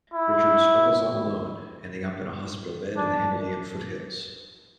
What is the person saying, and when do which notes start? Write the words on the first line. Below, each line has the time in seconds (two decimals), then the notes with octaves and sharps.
Richard struggles on alone, ending up in a hospital bed in the Himalayan foothills.
0.14 E4
2.97 D4